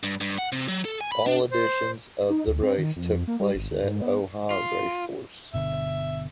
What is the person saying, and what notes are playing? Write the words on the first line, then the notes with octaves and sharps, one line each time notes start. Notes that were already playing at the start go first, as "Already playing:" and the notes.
All editions of the race took place at Ohi Racecourse.
G2
G2
F#5
C3
F#3
A4
G#5
B5
D4
C5
D#4
D2
C4
D#3
F2
A#3
G3
G#1
D2
G#2
B3
F4
G1 B2 D3 E5